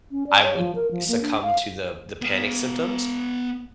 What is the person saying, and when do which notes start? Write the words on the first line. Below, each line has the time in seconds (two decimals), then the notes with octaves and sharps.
I would succumb to the the panic symptoms,
0.11 C#4
0.27 D5
0.43 C#5
0.57 F3
0.75 A#4
0.91 F3
1.08 A#3
1.22 D4
1.42 F5
2.22 B3 F5